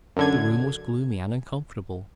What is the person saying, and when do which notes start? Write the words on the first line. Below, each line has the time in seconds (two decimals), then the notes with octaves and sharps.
The room was gloomy and uncomfortable.
0.16 F#2 D3 G#6